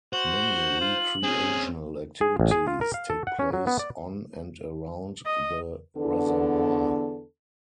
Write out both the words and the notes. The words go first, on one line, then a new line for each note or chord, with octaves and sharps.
Many recreational activities take place on and around the reservoir.
F#4 C5 F#7
F4
C4 C#4 G#4
G#4
A1
G#4
F4
A#4
F5
A4
F#5
C#4
F#3
B3
D5
D#5
E2 D3 B3 D4 A4